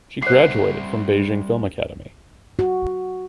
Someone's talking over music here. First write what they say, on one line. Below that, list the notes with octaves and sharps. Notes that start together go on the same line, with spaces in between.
She graduated from Beijing Film Academy.
G3 C5 E5 F#5 D6 C7
F#4